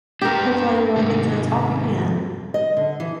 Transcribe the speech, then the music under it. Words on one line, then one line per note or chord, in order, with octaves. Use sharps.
hopefully, we'll get to talk again.
D4 G4 A#4 B4
G#2 C3 D#3
D#5
D3
E3